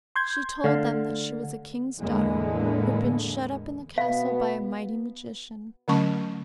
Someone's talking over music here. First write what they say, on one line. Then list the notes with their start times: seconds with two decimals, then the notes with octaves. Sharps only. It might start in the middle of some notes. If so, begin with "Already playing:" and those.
She told them that she was a king's daughter, who had been shut up in the castle by a mighty magician.
0.16 C6 G6 G#6
0.64 D3 A3 F5
1.99 E2 A2 D3 G#3 A#3 B3
3.98 B2 B3 F5
5.88 D3 F#3 A3 C#4 A5 C#6